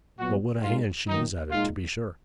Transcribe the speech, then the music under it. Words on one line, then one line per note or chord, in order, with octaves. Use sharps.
Well, what a hand she is at it, to be sure!'
A#2 F#3 B3 F#4
A#2 G#3 D#4 F4
F#2 D#3 A#3 D#4
A#2 G#3 D#4 F4